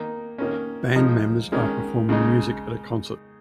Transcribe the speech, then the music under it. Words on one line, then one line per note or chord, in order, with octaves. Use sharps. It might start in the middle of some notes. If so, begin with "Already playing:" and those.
Band members are performing music at a concert.
Already playing: D#3 A#3 D#4
D#3 A#3 C#4
F3 G#3 D#4
D#3 G#3 C#4
C#3 G#3 D#4